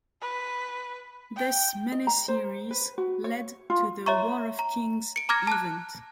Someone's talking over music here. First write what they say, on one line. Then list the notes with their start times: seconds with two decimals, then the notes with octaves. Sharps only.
This mini-series led to the War of Kings event.
0.21 B4
1.36 G5
1.92 D#5
2.07 A#5
2.28 C5
2.71 B4
2.98 F#4
3.24 C#5
3.70 F4
4.06 C#5 E5 A#5 C#6
4.59 A#5
5.16 C#7 D7
5.29 A#5 D6 F6 G#6 A#6
5.47 A5 F#6